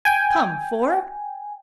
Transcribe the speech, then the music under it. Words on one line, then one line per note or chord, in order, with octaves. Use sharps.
Come, four?
G5 G#5